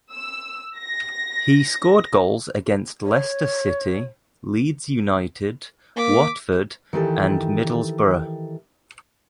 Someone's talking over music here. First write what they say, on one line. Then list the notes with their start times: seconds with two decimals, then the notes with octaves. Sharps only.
He scored goals against Leicester City, Leeds United, Watford and Middlesbrough.
0.11 E6
0.78 A#6
3.04 C#5
5.97 A#3 D6 B6
6.93 D#3 E3 G4 A4